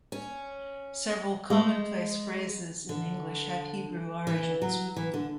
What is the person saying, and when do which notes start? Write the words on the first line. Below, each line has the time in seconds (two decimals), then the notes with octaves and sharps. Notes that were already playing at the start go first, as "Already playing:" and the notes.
Several common-place phrases in English have Hebrew origins.
0.12 C#4
1.50 G#3
2.89 D3
4.27 E3
4.62 F#3
4.96 E3
5.14 D3